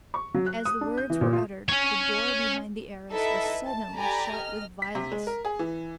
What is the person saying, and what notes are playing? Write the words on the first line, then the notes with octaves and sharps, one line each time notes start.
As the words were uttered, the door behind the arras was suddenly shut with violence.
C#6
F#3
F#6
D#6
D4
G6
E3
A#2
F4
C#4 C#5
D#4 E4 A4 B4 D#5 E5
A5
G4 A4 D5 G#5 A#5 B5
D#5 F6
B6
C3
G#3
A#4
G#4
E3